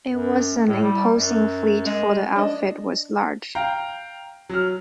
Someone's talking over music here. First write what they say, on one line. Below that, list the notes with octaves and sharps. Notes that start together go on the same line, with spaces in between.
It was an imposing fleet for the outfit was large.
F#2
A2
G3
F#2
G#3
D4 D#5
F5 G5 A#5
F#3 F6